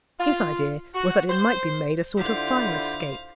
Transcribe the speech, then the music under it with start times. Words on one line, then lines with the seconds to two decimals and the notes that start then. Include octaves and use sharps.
His idea was that it might be made a sort of fire-escape.
0.19 F4
0.94 F#4
1.30 C5
2.17 D3 E4 F4 G4 C5 F5